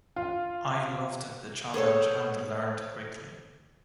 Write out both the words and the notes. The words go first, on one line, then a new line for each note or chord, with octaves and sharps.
I loved the challenge and learned quickly.
F4
G#4 A4 C5 C#5